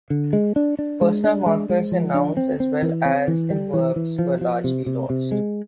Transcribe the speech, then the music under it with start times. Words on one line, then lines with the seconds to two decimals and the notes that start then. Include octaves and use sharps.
Personal markers in nouns as well as in verbs were largely lost.
0.10 D3
0.33 G#3
0.56 D4
0.79 D4
1.01 G#3
1.24 D4
1.46 G#3
1.69 G#3
1.92 F3
2.14 D4
2.37 C4
2.60 C4
2.82 E3
3.05 C4
3.28 E3
3.50 G3
3.73 E3
3.96 E3
4.19 F3
4.41 F3
4.64 C3
4.86 C3
5.10 C3
5.32 G#3